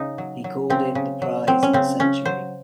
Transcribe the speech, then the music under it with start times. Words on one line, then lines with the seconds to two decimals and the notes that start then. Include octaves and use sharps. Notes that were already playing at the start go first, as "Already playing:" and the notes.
He called it 'the prize of the century'.
Already playing: C#3 D#4
0.18 F#3
0.44 F#3
0.70 C#3 C4
0.95 C#3
1.22 F#3
1.47 F#3 C4
1.63 C#4
1.73 C#3 C4
1.99 C#3 C#4
2.25 F#3 C5